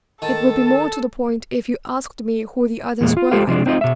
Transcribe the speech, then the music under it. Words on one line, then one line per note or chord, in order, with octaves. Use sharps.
"It would be more to the point if you asked me who the others were, I think."
D#3 A4 A5
E2 A#2 G#3 A#3
F4
G#3 F4 G4 A4 C5 F5
C3 F3 G#3 D4
C4 D4 D#4 F4 D#5
B2 E5